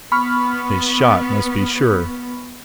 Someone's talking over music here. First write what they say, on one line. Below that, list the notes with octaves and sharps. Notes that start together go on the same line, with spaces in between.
His shot must be sure.
B3 B5 C#6 F6